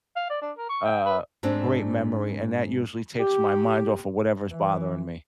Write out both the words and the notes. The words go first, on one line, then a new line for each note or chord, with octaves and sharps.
uh, great memory, and that usually takes my mind off of whatever's bothering me.
F5
D5
D4
A#4
C#6
G5
B4
G#2 A3 C4 D4
G4
E3